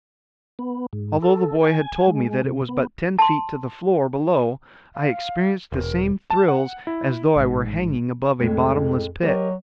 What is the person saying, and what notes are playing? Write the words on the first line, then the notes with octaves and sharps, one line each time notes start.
Although the boy had told me that it was but ten feet to the floor below I experienced the same thrills as though I were hanging above a bottomless pit.
B3
G#2
A4
G#5
G#3
C3
B3
A5 C6
F5
E1 A#4
A5
F#5
E4
A1 G#2
F2 A2 G#3
F#3 G4 A#4 D#5